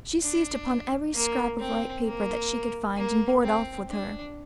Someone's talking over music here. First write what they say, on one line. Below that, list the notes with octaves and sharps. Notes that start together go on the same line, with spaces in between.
She seized upon every scrap of white paper that she could find and bore it off with her.
D4
A#3
C4
A#3
A#3
C4
D4